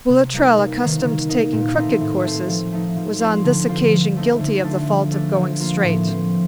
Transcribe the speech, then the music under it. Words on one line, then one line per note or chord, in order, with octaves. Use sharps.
Boulatruelle, accustomed to taking crooked courses, was on this occasion guilty of the fault of going straight.
C3
G3 A#3 D#4
C3
D#3 A#3 D#4
D#3
A#3 D#4
A#2
A3 C4 D#4
A2
A3 C4
F3
A3 D#4
F3
C4 F4
D3
F3 C4 F4
F3
A3 C4 D#4
D3
A3 D4 F4
F3
A3 D4
F3
A#3 F4
A2
F3 C4